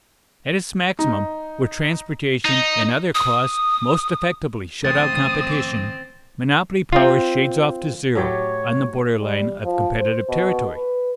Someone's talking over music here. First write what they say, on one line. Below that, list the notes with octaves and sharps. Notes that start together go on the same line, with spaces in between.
At its maximum where transportation and other costs most effectually shut out competition, monopoly power shades off to zero on the border-line of competitive territory.
D#4
D#4
D#6
D1 A1 C4 D#6 A6
C4 F4
A2 F#3 G4 C#5
G3
F3
C5
B2
B4